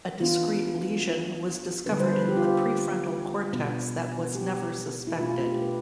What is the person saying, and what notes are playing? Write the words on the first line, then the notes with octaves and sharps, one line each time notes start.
A discrete lesion was discovered in the pre-frontal cortex that was never suspected.
E3 B3 D4 F4
D3 G3 B3 D4 B4
C5
B4
G4
F4
G4
B2 B3 D4
G4
E4
B2 A3 D4 F4
F4
G4
B4